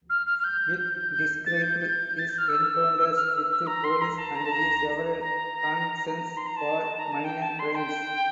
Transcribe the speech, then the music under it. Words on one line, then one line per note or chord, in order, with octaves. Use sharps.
It described his encounters with police and the several convictions for minor crimes.
F6
F6
F6
G6
G6
A6
G6
G6
A6
G6
F6
E6
F6
E6
E6
A#5
C6
A#5
A5
A#5
A5
A#5
A#5
C6
A#5
A5
A#5
A5
G5
A5
C6
G5